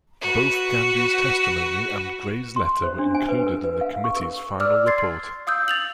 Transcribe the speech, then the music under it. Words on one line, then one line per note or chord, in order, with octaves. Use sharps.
Both Gandy's testimony and Gray's letter were included in the committee's final report.
F#4 B4
C6
C5
D4
G#5
B4
A#4
B4
F5
C#6
A#4
D5 D6 E6 F6
C6 G#6 A6 C7
F5 D#6 E6 G6
A6 F7 F#7